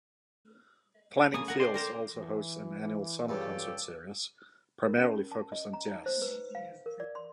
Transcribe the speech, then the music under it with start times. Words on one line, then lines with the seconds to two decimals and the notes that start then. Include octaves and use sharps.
Planting Fields also hosts an annual summer concert series, primarily focused on jazz.
1.34 C#3 A#3 G#5 D#6
1.48 A#4 F#5 G#5
1.60 D5 G5 C6
1.74 A#3 A#4 C5
2.13 E3
3.29 G2 C#3 F4 G4 A4
4.86 A#4
4.97 C#4
5.31 A5
5.52 D#5
5.73 A#5
5.88 D#4
6.06 C5
6.22 B4
6.55 F5
6.86 A#4
7.00 D5
7.15 C6